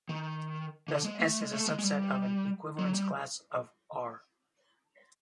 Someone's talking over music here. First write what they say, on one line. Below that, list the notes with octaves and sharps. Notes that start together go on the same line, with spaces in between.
Thus, "S" is a subset of an equivalence class of "R".
D#3
D3
G#3
A3
G#3
A3
G#3
G#3
G3
F#3
G3